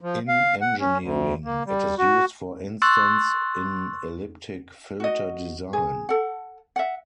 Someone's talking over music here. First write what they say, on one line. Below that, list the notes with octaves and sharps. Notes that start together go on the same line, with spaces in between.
In engineering, it is used for instance in elliptic filter design.
F3
F5
F#5
C#4
D2
A#3
G3
F#4
C6 C#6 E6 F#6 A6
F#4 D#5
G#4
A4 F#5
E5 F#5